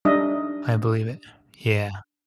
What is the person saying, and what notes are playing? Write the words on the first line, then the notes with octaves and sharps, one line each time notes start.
I believe it. Yeah.
G3 D4 D#4 D#5 E5